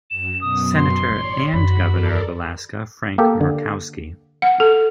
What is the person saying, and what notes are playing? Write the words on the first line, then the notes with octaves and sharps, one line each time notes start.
Senator and Governor of Alaska Frank Murkowski.
F#2 E7
F#2 B2 D#6
C6
A1 C#5 D5
F#2 D#3 F#4 B5
A4 A#4 D5
A#3 G4 A4
D3
F#5
A4